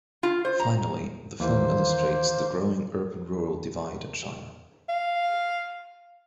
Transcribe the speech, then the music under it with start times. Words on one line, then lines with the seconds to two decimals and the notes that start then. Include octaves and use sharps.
Finally, the film illustrates the growing urban-rural divide in China.
0.23 F4
0.45 C5
0.60 A#5
1.40 D#2 E3 A#3 C5
4.89 F5